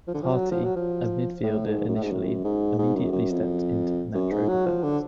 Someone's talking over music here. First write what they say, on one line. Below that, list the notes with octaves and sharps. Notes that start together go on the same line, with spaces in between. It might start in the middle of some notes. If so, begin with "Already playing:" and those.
Harty, a midfielder initially, immediately stepped into the Metro defense.
F3
D3
F3
F#3
F3
F#3
F3
A2
G#2
F#2
A2
G#2
F#2
G#2
G#2
F#2
F#2
F2
F#2
G#2
F#3
F3
D3